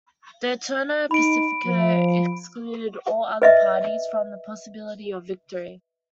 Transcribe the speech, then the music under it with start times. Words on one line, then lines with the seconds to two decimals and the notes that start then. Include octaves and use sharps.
The Turno Pacifico excluded all other parties from the possibility of victory.
1.11 D#4 B5 D7
1.66 F3
3.42 B4 D#5 E5